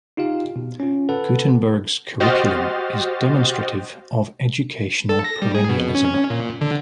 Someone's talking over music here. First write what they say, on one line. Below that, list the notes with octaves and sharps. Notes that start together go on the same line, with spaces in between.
Gutenberg's curriculum is demonstrative of educational perennialism.
D#4 F4 G4 F5
B2
C#4 F4
A4 B4 F#5 A5
F#4 G4 C5 D#5 F6 A6
A4
A#6
G3
G#4
B2
C#4
A#2
D3